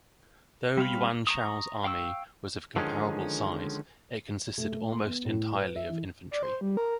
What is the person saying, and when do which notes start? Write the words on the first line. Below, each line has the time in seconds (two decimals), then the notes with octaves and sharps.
Though Yuan Shao's army was of comparable size, it consisted almost entirely of infantry.
0.77 G3 C4 F5 B5
1.27 A#5 C#6 D#6
1.84 F5 G5 C#6 E6
2.76 D3 D#3 F3 G#3 C4 C#4
4.58 A3
4.72 A3
4.92 C6
5.06 B3
5.25 A2
5.54 B4
5.76 E5
5.89 E3
6.31 D5
6.43 C5
6.61 G3
6.77 A#4